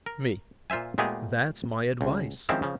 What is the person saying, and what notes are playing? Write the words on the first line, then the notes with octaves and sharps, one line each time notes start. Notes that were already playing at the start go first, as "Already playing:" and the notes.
ME: That's my advice.
A#4
A#2 F4 C5 E5 G#5
A#2 G#3 A3 B3 G4 G#4
C#2
D#3 F3 G#3 C4 C#4 E4
C#3 F3